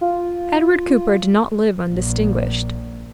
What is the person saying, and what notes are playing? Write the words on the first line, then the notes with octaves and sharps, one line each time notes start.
Edward Cooper did not live undistinguished.
F4
A#1